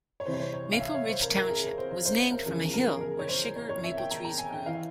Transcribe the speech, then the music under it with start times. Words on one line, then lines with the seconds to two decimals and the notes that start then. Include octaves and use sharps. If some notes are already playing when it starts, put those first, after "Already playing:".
Maple Ridge Township was named from a hill where sugar maple trees grew.
0.20 C#5
0.26 C2 C3 E3 C5
0.33 C#5
0.40 C5
0.53 C#5
0.72 F5
0.81 E5
0.94 C#5
1.09 C5
1.22 A#4
1.36 A#4
1.50 G#4
1.64 A#4
1.78 C5
1.91 C5
2.05 C5
2.19 C5
2.32 A#4
2.46 E2 C#3 F3 A#4
2.74 A#4
2.96 G#4
3.01 A#4
3.19 C#5
3.29 C5
3.56 C#5
3.69 C#5
3.84 E5
3.97 G5
4.11 A#5
4.25 A#5
4.39 G#5
4.53 G5
4.66 E3 F5